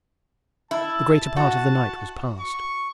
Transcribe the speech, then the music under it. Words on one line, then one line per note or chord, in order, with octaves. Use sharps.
The greater part of the night was past.
E4 A5
F#4 A5
C#6